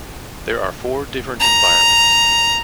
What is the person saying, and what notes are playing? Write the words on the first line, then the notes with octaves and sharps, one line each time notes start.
There are four different environments.
A#5